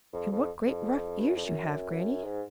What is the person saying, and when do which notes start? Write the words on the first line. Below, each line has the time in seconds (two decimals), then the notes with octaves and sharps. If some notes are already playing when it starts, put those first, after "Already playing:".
"And what great rough ears you have, Grannie!"
0.13 F2
0.32 F2
0.66 F2
1.20 G2
1.28 F#2
1.36 F2
1.45 F#2
2.24 G#2